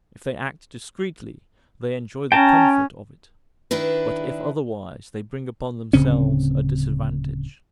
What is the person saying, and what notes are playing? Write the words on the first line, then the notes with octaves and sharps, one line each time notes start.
If they act discreetly, they enjoy the comfort of it; but if otherwise, they bring upon themselves a disadvantage.
C#4 G5 A5 A#5
D#3 D4 E4 B4
D1 C#3 C4 C#4